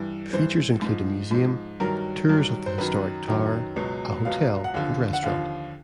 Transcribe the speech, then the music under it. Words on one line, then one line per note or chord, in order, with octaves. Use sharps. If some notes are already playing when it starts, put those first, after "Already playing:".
Features includes a museum, tours of the historic tower, a hotel and restaurant.
Already playing: G2 E3
G2 E3 C5
G#2 F3
G#2 F3
G2 D#3 F#3 A#4
G2 D#3 F#3
C5
F#2 D#3 F#3 B4
F#2 D#3 F#3
C#2 B2 F#3
C#2 B2 F#3 F5
F#5
D#2 D3 F3 F5
F#5
D#2 D3 F3 F5